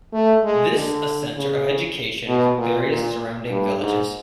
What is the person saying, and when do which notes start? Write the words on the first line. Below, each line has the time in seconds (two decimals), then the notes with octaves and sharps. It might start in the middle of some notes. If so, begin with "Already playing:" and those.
This a center of education for various surrounding villages.
0.13 A3
0.44 G#3
0.75 D3
1.36 C#3
2.27 B2
2.58 A#2
2.89 A#2
3.50 G2
3.80 G#2